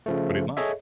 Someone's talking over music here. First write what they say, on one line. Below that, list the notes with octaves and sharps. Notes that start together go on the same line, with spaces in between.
but he's not.
C#3 F3 A3
G#4 A4 C#5 D#5 E5